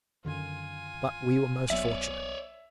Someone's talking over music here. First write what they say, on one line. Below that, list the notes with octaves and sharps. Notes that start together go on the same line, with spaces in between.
But we were most fortunate.
F#2 D3 D#3 F4 G#5
B1 F#3 B3 C#5 D5 E5